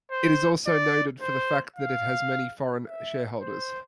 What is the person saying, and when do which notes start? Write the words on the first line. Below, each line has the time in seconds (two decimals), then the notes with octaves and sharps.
It is also noted for the fact that it has many foreign shareholders.
0.11 C5
0.66 D5
1.21 C5
1.76 F5
2.87 E5
3.41 C5